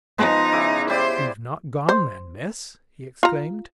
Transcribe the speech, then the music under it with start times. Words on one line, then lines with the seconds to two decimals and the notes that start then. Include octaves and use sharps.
"You've not gone, then, miss?" he exclaimed.
0.18 F3 G#3 B3 D#4
0.52 C#3 E4 D6
0.89 E4 G4 C5 D5
1.89 C5
3.23 F4 A#5